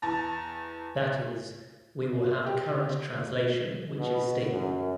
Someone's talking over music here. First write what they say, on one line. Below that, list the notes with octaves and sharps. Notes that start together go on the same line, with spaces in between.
That is, we will have a current translation which is stable.
E2 A5 A#5 A6
G4
B2
F#2